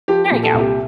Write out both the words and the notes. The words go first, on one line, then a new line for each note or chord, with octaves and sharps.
There you go.
F3 G4
G4
A#2
A4
C2
G4